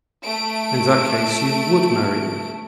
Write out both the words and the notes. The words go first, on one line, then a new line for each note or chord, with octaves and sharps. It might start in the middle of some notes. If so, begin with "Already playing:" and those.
"In that case you--would marry me?"
A3 D7